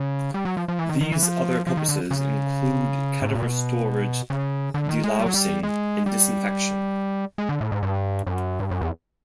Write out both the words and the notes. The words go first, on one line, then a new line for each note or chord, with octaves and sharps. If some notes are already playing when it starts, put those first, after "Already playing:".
These other purposes include cadaver storage, delousing, and disinfection.
Already playing: C#3
G3
F#3
F3
F3
E3
D#3
D#3
E3
F3
F3
D#3
D3
C#3
G#2
A2
A#2
B2
C#3
D3
D#3
G#3
G3
F#3
G3
G#3
G3
G#3
D3
A2
G#2
G2
F#2
G2
F#2
E2